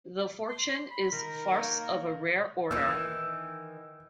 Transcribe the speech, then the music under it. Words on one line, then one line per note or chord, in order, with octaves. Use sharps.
"The Fortune" is farce of a rare order.
C6
B5
D#3 A#4
A#3 C#5 G5
D#3 E3 E6